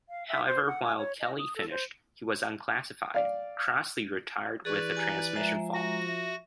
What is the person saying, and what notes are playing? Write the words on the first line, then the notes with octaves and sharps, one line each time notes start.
However, while Kelly finished, he was unclassified; Crossley retired with a transmission fault.
F5
E5
C5
F#5
G#5
C#5
D#5
D#6
A4
C5
D5 F5
E3 G#4 B4 D5 C#6
G4 G#5 A#5
F3 G#3 E5 A#5
F#4 A#6
E5